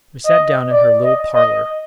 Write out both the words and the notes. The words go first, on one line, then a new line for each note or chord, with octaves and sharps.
We sat down in her little parlour.
D#5
D5
D#5
D#5